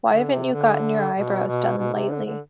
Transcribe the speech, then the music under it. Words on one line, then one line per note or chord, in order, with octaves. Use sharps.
Why haven’t you gotten your eyebrows done lately?
D3
C3
D3
B2
B2
B2
C3
D3
D3